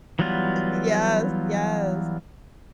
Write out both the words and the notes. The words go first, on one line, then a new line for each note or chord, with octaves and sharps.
Yes, yes.
E3 F#3 G3 B3 F4